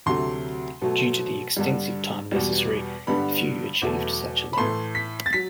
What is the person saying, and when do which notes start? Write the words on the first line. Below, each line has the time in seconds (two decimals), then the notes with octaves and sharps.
Due to the extensive time necessary, few achieved such a level.
0.06 D2 C3 F#3 A3 C6
0.81 B2 F#3 A3
1.57 G2 D3 G3
2.32 E2 B2 G3
3.07 G2 D3 G3 B3 B5
3.82 E2 B2 F#3 A3
4.53 B5
4.57 A2 E3 A3 C6
4.95 B6
5.26 A6
5.33 F#3 B6